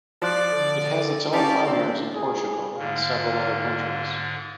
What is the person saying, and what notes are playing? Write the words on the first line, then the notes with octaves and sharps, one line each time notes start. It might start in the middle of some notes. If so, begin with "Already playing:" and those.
It has its own farmyards in Portugal and several other countries.
F3 D5 C6 F#6
D3 A4
C#4 D#4 G4 D5 F5 A5
C4 D4 C5
G#4
G#2 D3 F5